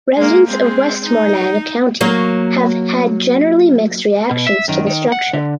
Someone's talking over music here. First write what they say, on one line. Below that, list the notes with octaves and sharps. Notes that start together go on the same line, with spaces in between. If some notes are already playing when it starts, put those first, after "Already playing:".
Residents of Westmoreland County have had generally mixed reactions to the structure.
G#3 A#3
G#3 C4
D#4
F#3 A#3
B2
E5
F#2 D#3
D#3
F#5
D3